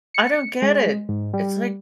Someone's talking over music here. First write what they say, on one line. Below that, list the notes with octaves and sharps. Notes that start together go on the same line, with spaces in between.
I don't get it, it's like
C#7
G#3
G#2
G3